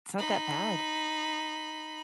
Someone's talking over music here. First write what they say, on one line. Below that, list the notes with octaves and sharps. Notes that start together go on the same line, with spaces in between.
it's not that bad.
D#4 B5